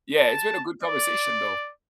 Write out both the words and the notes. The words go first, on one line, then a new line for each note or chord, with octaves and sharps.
Yeah, it's been a good conversation, though.
A5
D5